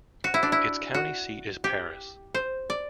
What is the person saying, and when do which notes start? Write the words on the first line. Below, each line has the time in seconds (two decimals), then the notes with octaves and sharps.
Its county seat is Paris.
0.24 F#4
0.34 E4
0.43 D4
0.52 E4
0.94 F#4
1.64 G4
2.34 C5
2.70 D5